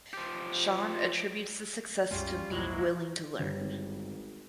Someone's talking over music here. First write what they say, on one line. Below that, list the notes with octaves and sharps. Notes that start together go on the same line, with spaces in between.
Shawn attributes the success to being willing to learn.
F3 G4
C2 F#2 G3 G#3 C#4 F4
D1 B1 F2 F#3 G#3 A#3 E4
G1 G3
G#1